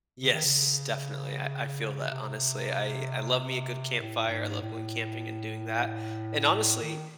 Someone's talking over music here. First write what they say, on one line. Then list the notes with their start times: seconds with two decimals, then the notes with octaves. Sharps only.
Yes, definitely, I I feel that, honestly, I I love me a good campfire, I love going camping and doing that. And honestly,
0.22 C#3
0.33 D#3
0.45 C#3
2.11 C3
4.00 A2
4.27 A2
4.31 G#2
4.62 A2
6.83 D#3